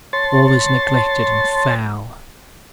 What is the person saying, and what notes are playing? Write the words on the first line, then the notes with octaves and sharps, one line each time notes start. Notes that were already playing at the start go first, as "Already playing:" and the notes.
All is neglected and foul.
C#5 A5 C6 A6